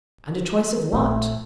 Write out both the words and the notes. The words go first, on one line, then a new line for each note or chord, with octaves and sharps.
And a choice of what?
A#1 A3